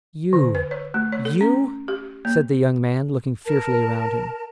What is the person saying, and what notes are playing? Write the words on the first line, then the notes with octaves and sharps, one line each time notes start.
"You--you?" said the young man, looking fearfully around him.
D3
B4
C#5
A3
C#5
A4
C#4
G4
A#3
A#4 A5